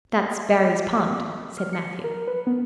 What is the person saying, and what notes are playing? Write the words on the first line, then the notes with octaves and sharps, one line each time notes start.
"That's Barry's pond," said Matthew.
F6
C#7
A#4
B4
B3